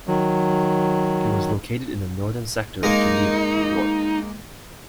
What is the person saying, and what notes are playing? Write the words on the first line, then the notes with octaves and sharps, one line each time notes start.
It was located in the northern sector of Geneva, New York.
D#3 F#3
G#3 A#3 D#4